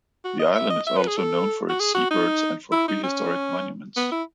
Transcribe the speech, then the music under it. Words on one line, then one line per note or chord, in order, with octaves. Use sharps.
The island is also known for its sea birds and for prehistoric monuments.
F#4
D#5
E5
D#5
E5
B4
G#4
A4
F#4
G#4
F#4
D#4
E4
D#4
C#4
B3
E4